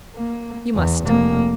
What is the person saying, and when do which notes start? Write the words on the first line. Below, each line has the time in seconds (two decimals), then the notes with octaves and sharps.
You must.
0.16 A#3
0.75 E2
1.05 F1 A#3